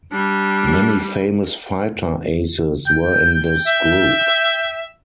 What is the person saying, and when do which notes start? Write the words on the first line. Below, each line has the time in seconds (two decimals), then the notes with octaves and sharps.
Many famous fighter aces were in this group.
0.12 G3 D4
2.87 G5 G6
3.65 E5